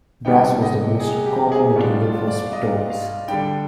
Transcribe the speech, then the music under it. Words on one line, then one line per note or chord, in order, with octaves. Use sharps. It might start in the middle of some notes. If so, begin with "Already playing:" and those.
Brass was the most common material for spitoons.
C3 G3 B3 D#4 G5
D#5
G#4
G4
G#4
B2 G3 D4 F4
F4
D5
F5
D#5
F5
D3 G3 D4 G5